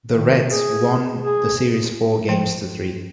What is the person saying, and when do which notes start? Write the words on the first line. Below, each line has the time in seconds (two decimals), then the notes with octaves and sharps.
The Reds won the series four games to three.
0.12 D#3
0.50 G#4
1.22 G#4
2.29 F3 G5